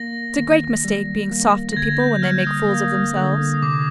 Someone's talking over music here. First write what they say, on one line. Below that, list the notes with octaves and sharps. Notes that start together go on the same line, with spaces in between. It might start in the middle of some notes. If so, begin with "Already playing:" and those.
It's a great mistake being soft to people when they make fools of themselves.
Already playing: A#3 A#6
D#3
G3
A#3
A#6
D3 G#6
G6
G3 F6
D#6
A#3
D3
D#6
C3 D6